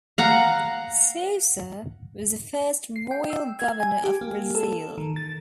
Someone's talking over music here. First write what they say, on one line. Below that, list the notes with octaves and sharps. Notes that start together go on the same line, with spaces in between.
Sousa was the first Royal Governor of Brazil.
F5 F#5 A#5
C7
G5
E6
G#6
G#5
G4
A#3
A4
D#3
A6